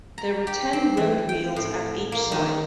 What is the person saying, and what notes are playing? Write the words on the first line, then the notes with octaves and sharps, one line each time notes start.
There were ten road wheels at each side.
A#5
G4
C4
E3
G5
A2
A#3
D#3